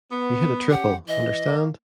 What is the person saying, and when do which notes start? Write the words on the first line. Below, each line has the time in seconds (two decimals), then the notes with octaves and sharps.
You hit a triple, understand?
0.11 B3
0.71 C#4 G4 F#5
1.08 E3 D#5
1.45 A#3